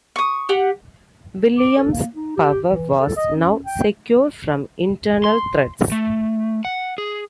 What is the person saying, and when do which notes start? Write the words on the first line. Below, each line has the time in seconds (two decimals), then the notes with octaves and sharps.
William's power was now secure from internal threats.
0.16 C#6 D#6
0.49 G4 F#5
1.58 D6
1.77 A4
1.91 A#3
2.15 D#4
2.37 G4
2.68 E3
2.98 A4
3.17 D#5
3.36 C#4
3.65 G5
5.24 C6
5.92 A3
6.65 F#5
6.98 G#4